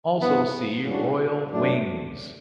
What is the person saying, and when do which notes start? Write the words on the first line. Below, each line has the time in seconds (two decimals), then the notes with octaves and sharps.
Also see "Royal Wings".
0.19 G2 E3 B3
0.84 C#3 E3 G3 D4 F#4
1.49 F#2 D3 F#3 A3 D4